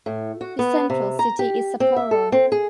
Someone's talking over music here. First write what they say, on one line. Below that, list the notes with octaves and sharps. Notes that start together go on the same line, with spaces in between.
The central city is Sapporo.
A2
F#4
B3
C3
A#5
G4
C4
E5
A4
C4
G#4